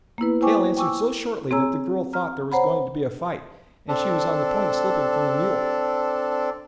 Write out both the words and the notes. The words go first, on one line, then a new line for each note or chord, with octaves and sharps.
Hale answered so shortly that the girl thought there was going to be a fight, and she was on the point of slipping from the mule.
A#3 B3 E4 B4
E4 C5 G5 G#5 C#6 D6
G5 G#5 C#6 D6 E6
C4 G#4 C#5 G#5 A#5 E6
A#5 F6
C5 C#5 F#5 A#5 B5
C4 D4 A4